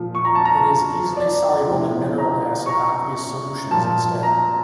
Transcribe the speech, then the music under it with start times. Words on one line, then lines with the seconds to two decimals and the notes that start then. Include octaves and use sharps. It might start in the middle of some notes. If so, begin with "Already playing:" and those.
It is easy soluble in mineral acid aqueous solutions instead.
Already playing: A#2 F3
0.15 C#6
0.25 A#5
0.35 A5
0.45 A#5
1.17 D5
1.67 A2 F3
2.18 A#5
2.66 C#6
2.69 A#5
3.71 A#2 F3 A5
4.23 A#5